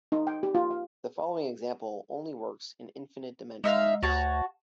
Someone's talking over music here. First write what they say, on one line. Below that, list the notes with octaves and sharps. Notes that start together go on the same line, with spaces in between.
The following example only works in infinite dimensions.
D#4
G5
G4
F4
F5
G#3 D#4 E5 F5
D2 F#4 C#5 A5